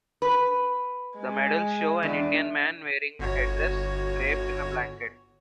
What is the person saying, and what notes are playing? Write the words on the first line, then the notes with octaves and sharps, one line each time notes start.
The medals show an Indian man wearing a headdress, draped in a blanket.
B4
G#3
E2 D4
G1 F#4 C#5